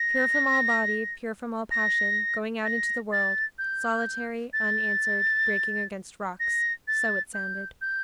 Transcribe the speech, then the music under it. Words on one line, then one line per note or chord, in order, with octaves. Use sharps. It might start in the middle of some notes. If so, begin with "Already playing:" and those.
Pure from all body, pure from all passion, going out into the world, solitary, unanswered, breaking against rocks--so it sounded.
Already playing: A#6
A#6
A#6
A6
G6
A6
A#6
A6
G6
G6